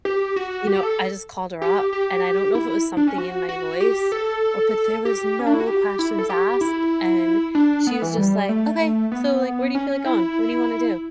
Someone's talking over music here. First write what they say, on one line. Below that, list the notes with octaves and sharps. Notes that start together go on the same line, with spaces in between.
you know, I just called her up, and I don't know if it was something in my voice or but, there was no questions asked, and she was just like, "Okay, so, like, where do you feel like going? What do you wanna do?"
G4
F#4
G4
A4
G4
G4
E4
D4
C#4
F#4
F#4
G4
A4
G4
C#4
D4
E4
F#4
G4
E4
A4
G4
E4
D4
B3
E3
G3
A3
B3
C#4
E4